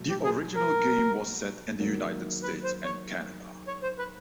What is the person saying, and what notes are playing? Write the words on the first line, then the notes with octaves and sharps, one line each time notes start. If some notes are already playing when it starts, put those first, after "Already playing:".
The original game was set in the United States and Canada.
Already playing: B2 F#3 A3
G4
G#4
A#4
G#2 D#3 F#3 A#3
B4
C5
C#5
C#5
C5
B4